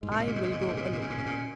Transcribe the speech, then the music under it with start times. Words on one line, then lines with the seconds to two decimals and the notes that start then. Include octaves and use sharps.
"I will go alone."
0.03 G#2 G#3
0.11 A#2
0.20 G#2
0.27 A#2
0.36 G#2
0.44 A#2
0.50 G#2 G#3
0.61 A#2
0.68 G#2
0.77 A#2
0.85 G#2
0.93 A#2
0.98 G#2 C#4
1.10 A#2
1.18 G#2
1.26 A#2